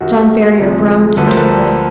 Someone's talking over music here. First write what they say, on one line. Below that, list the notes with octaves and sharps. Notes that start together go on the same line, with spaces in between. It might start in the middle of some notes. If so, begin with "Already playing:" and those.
John Ferrier groaned internally.
F#2 D#3 G3 F#4
D2 C3 F3 G#3
D2 D3 F3 A4 B4
A#4 C5
A4 B4